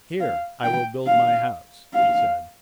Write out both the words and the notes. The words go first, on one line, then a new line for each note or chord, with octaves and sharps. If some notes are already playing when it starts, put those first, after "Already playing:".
"Here I will build my house," he said.
F5
G5
F5
F5